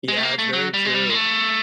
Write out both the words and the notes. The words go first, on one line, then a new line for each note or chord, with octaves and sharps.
Yeah, it's very true.
G#3
A3
A#3
A3
F#3
G3
G#3
G3
G#3
A3